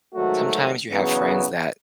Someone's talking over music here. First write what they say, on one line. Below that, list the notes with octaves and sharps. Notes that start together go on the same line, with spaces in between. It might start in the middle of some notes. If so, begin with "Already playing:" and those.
sometimes you have friends that
G#2 D#3 F#3 A3 F#4
E2 C#3 F#3 B3